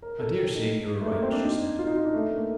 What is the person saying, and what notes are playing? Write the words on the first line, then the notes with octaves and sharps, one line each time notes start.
"I daresay you are right," she said.
A#4
A4
G4
D#4
A3
A#3
C4
D4
D#4
F4
D#4
F4
D4
A3
A#3